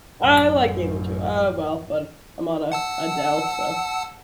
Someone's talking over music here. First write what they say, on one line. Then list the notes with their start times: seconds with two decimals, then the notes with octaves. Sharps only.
I like gaming too, uh well, but I'm on a a Dell, so
0.20 A1 F#2
2.72 F#5 A5 E6